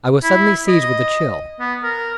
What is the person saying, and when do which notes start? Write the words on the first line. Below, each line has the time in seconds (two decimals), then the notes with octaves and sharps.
I was suddenly seized with a chill.
0.23 E4
0.68 D#5
1.60 B3
1.83 A#4